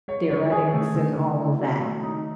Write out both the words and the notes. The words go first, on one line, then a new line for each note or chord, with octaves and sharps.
theoretics and all of that.
G#3 C#5
E3 C#5
D#3 G#4
C#3 A3
C#3 A3
C#3 A3
E4
F#3
A3
D#4